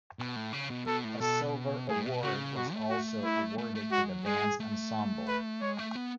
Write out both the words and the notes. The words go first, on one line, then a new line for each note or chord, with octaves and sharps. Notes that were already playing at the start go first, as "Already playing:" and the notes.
A silver award was also awarded to the band's ensemble.
B2
A2
C#3
B2
B2 A4
A2
B2 A4
A2 G#4
B2
C#3 F#4
B2 F#4
A3
F#4
E4
A3
A3
G#3 F#4
F#3
G#3 G#4
A3
B4
G#3 C#5
A3
B3